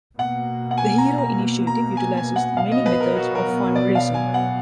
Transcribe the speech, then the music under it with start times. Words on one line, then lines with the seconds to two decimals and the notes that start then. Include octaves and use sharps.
The Hero Initiative utilizes many methods of fundraising.
0.18 B2 A#3 F#5
0.71 F#5
0.78 G#5
0.98 A#5
1.18 A#5
1.67 A#5
1.97 G#5
2.17 G#5
2.36 F#5
2.56 B2 F#3 B3 F5
2.72 D#5
2.86 B4
3.00 A#4
3.16 F#4
3.35 A#4
3.75 D5
3.95 F5
4.14 G#5
4.34 F#5